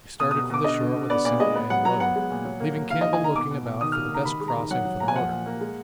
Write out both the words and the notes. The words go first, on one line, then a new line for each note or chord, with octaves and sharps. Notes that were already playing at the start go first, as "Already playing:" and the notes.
I started for the shore with a single man load, leaving Campbell looking about for the best crossing for the motor.
B2 D#6
D#6
B2
B2 D6
D3 D#5
D3
D3
B3 D5
A#2 D5
G#3 D#5
B3
F#3 F#5
F#3 A#5
B3 F#5
G#3
A#2
F#3
A#3
A#3
D#3 F5
D#5
D#3
G#5
D#3 A#5
B2 D6
B2
B2
D#3 D#6
F6
A#3
D#3 A#5
D#3 B5
G#3
A#5
D#3
F#3 F#5
F#3
A#2 A#5
G#5
F3 F#5
A#2
A#3
G#3